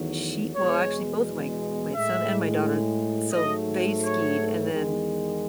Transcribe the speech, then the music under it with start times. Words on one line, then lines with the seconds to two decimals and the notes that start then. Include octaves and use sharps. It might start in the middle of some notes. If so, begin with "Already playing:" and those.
she well, actually, both my my son and my daughter so, they skied, and then,
Already playing: E2 D#3 F#3 A3
0.56 E2 B2 G#3 C#5
1.95 A2 G#3 E5
3.32 G#2 F#3 A3 D#5
4.03 C#5
4.72 E2 D#3 G#3